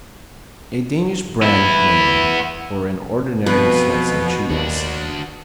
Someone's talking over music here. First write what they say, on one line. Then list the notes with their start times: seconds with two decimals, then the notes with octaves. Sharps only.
A Danish brand name for an ordinary slicing cheese.
1.42 B3 E4
3.46 F2 B2 B4
4.50 D#2 D4 F#4